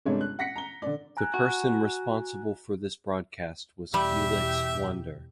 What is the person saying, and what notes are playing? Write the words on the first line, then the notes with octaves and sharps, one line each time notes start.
The person responsible for this broadcast was Felix Huonder.
G1 C3 G#3 D4 C#5
F#6
F#5 A#6 B6 C#7
A#5 G7
D3 D5
G#5 A#5 F#6
F#4
E2 B2 G3 G4 E5